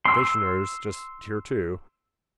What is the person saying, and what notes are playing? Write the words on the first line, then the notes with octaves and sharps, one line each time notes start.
Stationer's just here too.
C6 E6